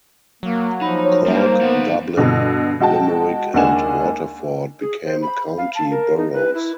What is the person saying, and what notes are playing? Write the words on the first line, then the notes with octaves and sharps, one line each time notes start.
Cork, Dublin, Limerick and Waterford became county boroughs.
F#3 A#3
F3 D#4 B5
C#5
G3 A#3 D#4 C5
B3 D#4 F#5
G2 B2 D3
G#3 F#4 G5 A5
D#2 G#3 D4 F#5 G#5 E7
G#4
C5
B5
F5
A5
A#4
D#4
B4
E4